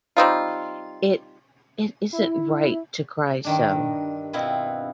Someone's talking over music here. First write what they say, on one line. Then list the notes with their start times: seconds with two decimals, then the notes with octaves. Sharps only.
It — it — isn’t right to cry so.
0.17 G3 C4 D#4 F4
2.13 E4
3.44 G2 D#3 D4
4.33 B2 B3 C4 E4 F4